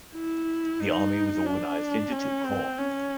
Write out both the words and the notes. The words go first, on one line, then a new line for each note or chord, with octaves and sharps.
The army was organized into two corps.
E4
D#4
D4
C#4
C4
C#4